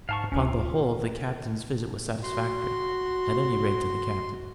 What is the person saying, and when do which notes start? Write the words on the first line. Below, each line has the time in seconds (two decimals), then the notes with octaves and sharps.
Upon the whole the Captain's visit was satisfactory--at any rate to the Captain.
0.09 G#2 F5 A5 C#6
0.32 D2 E3 C#4
0.46 F4
2.23 F#4 C6